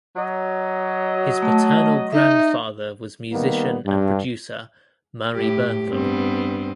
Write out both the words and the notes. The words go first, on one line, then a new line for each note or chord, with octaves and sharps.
His paternal grandfather was musician and producer Murray Bernthal.
F#3 D#5
A3 A5
D#4 E5
D#3 G3 A#3 B3
G2
A2 G4
G2 B3 C4